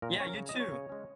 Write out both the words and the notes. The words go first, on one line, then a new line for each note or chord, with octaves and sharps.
Yeah, you too.
A#2 A#4
F#3 C#4 C#5
A#4
C#3
D#5
F#3 C#4
C#5
C#3
G#3 C#4